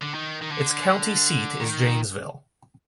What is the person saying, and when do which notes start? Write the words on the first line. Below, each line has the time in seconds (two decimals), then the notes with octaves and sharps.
Its county seat is Janesville.
0.02 D3
0.14 D#3
0.41 D#3
0.51 D3
1.60 D#3